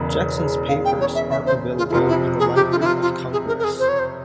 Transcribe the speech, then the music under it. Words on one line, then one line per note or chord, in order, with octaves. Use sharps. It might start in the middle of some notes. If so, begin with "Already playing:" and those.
Jackson's papers are available in the Library of Congress.
Already playing: E1 E2 C#3
F5
G5
C#5
E5
E5
C5
F4
E4
F2 C3 F3 F4
E4
G#4
G4
F4
E4
F4
F4
G#4
A#4
A#4
G#4
C5
C#5
C5